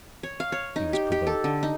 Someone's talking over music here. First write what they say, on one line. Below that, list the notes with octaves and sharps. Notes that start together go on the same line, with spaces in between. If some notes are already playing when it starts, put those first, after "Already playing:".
He was provoked.
C#5
F5
C#5
D#4
G4
G4
A4
D3
D#4